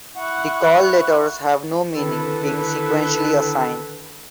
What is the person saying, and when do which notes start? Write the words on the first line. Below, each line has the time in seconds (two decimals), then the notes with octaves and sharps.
The call letters have no meaning, being sequentially assigned.
0.15 E4 F#5 C#6 F#6
1.96 D3 D#3 D4 E4 A4 B4